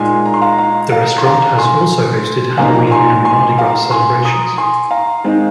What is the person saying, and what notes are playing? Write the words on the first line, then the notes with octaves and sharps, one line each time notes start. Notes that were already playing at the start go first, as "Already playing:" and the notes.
The restaurant has also hosted Halloween and Mardi Gras celebrations.
Already playing: A#2 G#3 D#4 G#5 C6
A#5
C6
F5 A#5
F5 A#5
F5 A#5
C6
F5 A#5
G#5 C6
A#2 F3 A#3 D#4 F5 A#5
A#5
G#5 C6
G#5 C6
F5 A#5
G#5 C6
A#5 D#6
G#5 C6
F5 A#5
G#2 D#3 G#3 C4 D#4